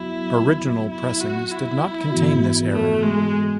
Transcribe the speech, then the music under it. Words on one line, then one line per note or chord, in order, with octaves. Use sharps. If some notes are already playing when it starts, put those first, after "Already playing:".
Original pressings did not contain this error.
Already playing: F#3 B3 E4 F#4
E4
F#4
E4
G#2 E3 B3 F#4
A3
G#3